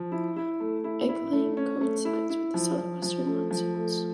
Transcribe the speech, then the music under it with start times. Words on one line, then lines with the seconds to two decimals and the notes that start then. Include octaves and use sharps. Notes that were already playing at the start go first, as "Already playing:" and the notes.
Egg laying coincides with the southwestern monsoons.
Already playing: F3
0.12 E4
0.36 E4
0.60 A3
0.84 E4
1.09 E4
1.33 A3
1.57 C#4
1.81 A3
2.05 E4
2.30 E4
2.54 F3
2.78 F3
3.02 F3
3.27 A3
3.51 F3
3.75 A3